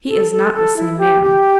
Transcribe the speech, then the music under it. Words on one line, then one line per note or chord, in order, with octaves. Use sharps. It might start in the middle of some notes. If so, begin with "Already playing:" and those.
He is not the same man.
A4
A4
A4
E4
G4
G4